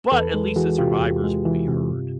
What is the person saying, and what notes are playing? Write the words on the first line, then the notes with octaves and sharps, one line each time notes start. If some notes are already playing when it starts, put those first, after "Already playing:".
but at least the survivors will be heard.
E2 A4 B4
G#3
E3 F#4 G#4
C3 F4 G4
E2
G#3
E3
C3
G2